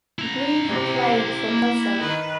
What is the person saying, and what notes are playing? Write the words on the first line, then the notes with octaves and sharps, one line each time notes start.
Grieve played for Kelso.
E4 A#5
C3
A#3
D#3 B4